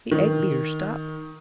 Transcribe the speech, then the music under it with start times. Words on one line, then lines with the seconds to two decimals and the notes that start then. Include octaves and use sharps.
The egg-beater stopped.
0.11 D#3